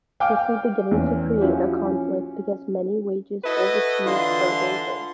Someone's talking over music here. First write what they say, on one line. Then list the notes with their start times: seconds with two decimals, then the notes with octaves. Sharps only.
This is beginning to create a conflict because many wages overseas are raising.
0.20 F5 G5 G#5 D6 F6
0.91 E2 C#4
1.41 F3 C#4 E4 F#4 G4
1.85 C#4
3.44 E4 F#4 A4 B4 D#5
4.06 D3 E3 D4 F4 C6